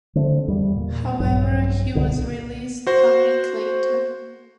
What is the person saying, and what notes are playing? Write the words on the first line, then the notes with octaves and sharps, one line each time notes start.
However, he was released a week later.
D3 A3 C4
E2 G3
A#2
A#1 G2 F#3
C2 A#2 D3
F#4 C5